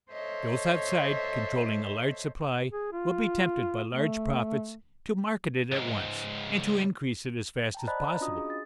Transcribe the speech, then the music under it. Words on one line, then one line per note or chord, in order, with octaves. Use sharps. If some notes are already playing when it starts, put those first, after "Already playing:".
Those outside, controlling a large supply, will be tempted by large profits to market it at once and to increase it as fast as possible.
A4 C5 C#5 D#5 E5
G#4
F4
A3
C#2 G#2
G5 A5 A#5
C5 D5 D#5 A5 B5 F#6
A#5
C#4 D4 F4 F#4 D#5 D#6
G#4
A6